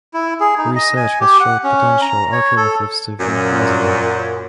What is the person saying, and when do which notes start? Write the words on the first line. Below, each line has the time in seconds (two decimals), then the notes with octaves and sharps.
Research has showed potential alternatives to vinclozolin.
0.14 E4
0.40 G#4
0.58 D#4
0.76 D#5
0.96 G#5
1.21 G4
1.40 F#5
1.64 C#4
2.02 A#5
2.33 C#5
2.57 A4
3.20 F#2 A#2